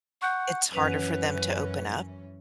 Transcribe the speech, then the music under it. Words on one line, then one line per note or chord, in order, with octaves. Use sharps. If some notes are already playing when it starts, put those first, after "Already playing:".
it's harder for them to open up.
F#5 C#6 F#6 G6
F#2 E3 C#4 B4 F#5 B6 F7